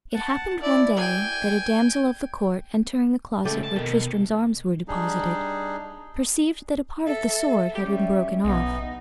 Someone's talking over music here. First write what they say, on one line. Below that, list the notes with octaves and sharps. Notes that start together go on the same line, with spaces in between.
It happened one day that a damsel of the court, entering the closet where Tristram's arms were deposited, perceived that a part of the sword had been broken off.
F#5 A5
E4 D5
G5 G#5
C#2 A3 D5 G5
A5
B2 D#3
G3 D4 D#4 G#4
A4 E5
G3 C#4 G4
B1 B3 D#4